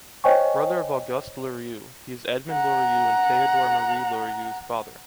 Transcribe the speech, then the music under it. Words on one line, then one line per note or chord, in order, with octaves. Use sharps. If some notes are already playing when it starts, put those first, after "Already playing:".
Brother of Auguste Lorieux, he is Edmond Lorieux and Théodore-Marie Lorieux’s father.
C5 C#5 D#5 G5 G#5 C#6
F#5 A#5